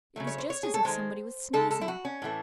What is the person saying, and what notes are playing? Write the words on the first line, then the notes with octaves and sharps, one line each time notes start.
It was just as if somebody was sneezing.
C#3 F#3 A3
C#5
C5
C#5
G#4
A4
D#3 G#3 C5
C#3 G#3 A4
A4
E4
F#4
C#4
A2 E3 A3